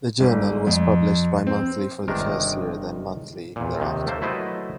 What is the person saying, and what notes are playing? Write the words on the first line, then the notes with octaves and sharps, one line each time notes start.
The journal was published bimonthly for the first year, then monthly thereafter.
G1
F2
C4
G1 C3 D#3 G#3 D4 A#4
E2 A#2
D#2 C3 D#3
A3 A#3 C5
F#3 A3 E4 B4 C5 D#5